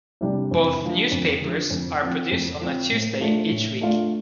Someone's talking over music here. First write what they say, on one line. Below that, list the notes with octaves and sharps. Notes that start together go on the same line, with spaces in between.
Both news papers are produced on a Tuesday each week.
C3 G3 D4
F2
D3 F3
F2
D3 F3
F2
F3 C4
F2
F3 C4
A2
A3 D4 F4
A2
A3 D4 F4